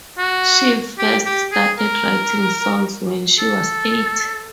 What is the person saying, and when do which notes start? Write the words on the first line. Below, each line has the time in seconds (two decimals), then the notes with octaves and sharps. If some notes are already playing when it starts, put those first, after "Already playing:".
She first started writing songs when she was eight.
0.18 F#4
0.98 G4
1.26 G4
1.52 G#4
1.79 A#4
3.39 A4